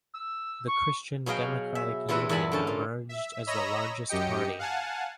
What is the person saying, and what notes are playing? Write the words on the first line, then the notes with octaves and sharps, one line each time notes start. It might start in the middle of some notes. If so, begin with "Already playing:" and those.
The Christian Democratic Union emerged as the largest party.
E6
C#6
B2 F#3 G#4 F5 G5
E5
E2 C3 E3 E4 B4
E2 A#2 E4 G#5 A5 B5
D3 C#4 A5
A#2
E5
C#5 D#5 A#5 B5 E6 A#6
F#2 G4 D#5 G5 C#7
F5 F#5 G#5 A5